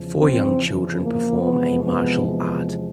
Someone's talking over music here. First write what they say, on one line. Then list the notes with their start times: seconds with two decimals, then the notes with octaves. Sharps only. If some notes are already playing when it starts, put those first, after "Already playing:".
Four young children perform a martial art.
Already playing: E2 C#3 F3
0.16 C4
1.00 A#3
1.41 E2 C3 F3 G#3 B3
1.84 B3
2.26 B3